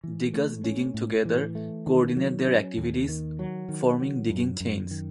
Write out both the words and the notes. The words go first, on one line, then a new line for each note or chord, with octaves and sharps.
Degus digging together coordinate their activities, forming digging chains.
E3
A3
C#4
A2
E3
A3
D#3
F#3
C#4
D#2
D#3
F#3
D#3
F#3
F#2
F#2
D#3